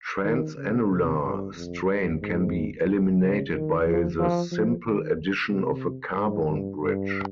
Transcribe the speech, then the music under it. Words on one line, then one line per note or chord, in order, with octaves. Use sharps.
Transannular strain can be eliminated by the simple addition of a carbon bridge.
D#3
C#3
C3
G2
F2
G2
G#2
C#3
D#3
F3
F3
F3
D#3
C3
G#2
G2
G2